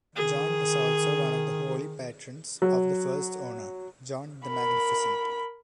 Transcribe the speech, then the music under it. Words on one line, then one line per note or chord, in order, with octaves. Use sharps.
John was also one of the holy patrons of the first owner, John the Magnificent.
D#3 G#4
F#3
A#4 B5